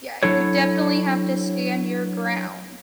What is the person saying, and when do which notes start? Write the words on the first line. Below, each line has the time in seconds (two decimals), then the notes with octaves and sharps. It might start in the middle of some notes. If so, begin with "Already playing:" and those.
Yeah, you definitely have to stand your ground.
0.23 F#3 D4 E4 A4 C#5